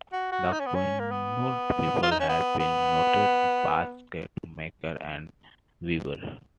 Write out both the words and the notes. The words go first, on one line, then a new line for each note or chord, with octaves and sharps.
The Quinault people have been noted basket makers and weavers.
F#4
F#4
D#4
C#4
B3
C#4
A#3
B3
F4
D#4
C#4
B3
B3